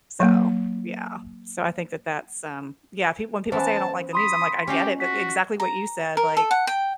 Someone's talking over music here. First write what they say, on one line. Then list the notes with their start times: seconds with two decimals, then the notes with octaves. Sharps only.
So, yeah. So, I think that that's, um, yeah, pe when people say, "I don't like the news," I'm like, "I get it," but exactly what you said, like,
0.20 F#3 A#3
3.52 E3 B3 C#4 C5 A5
4.13 B5 C6 D#6 B6
4.67 C#4 D#4 F4 G4
5.00 F#4 B6
5.60 A#5
6.17 A#4
6.37 A4
6.51 F#5
6.67 G5